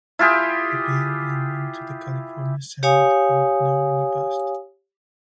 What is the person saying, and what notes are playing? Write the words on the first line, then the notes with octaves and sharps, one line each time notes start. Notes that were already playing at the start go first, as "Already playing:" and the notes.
The bill then went to the California Senate where it narrowly passed.
E4 F4 G4 G#4
G4 C#5 F5 G#5 D#6